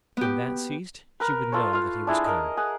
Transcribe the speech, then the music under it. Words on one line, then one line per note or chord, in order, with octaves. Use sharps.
When that ceased she would know that he was come.
B3 G4
A#4 B4
F4 A4 B4 C#5
F4 F5
D4 E4 G#4
A#4 D#5
G#4 F#5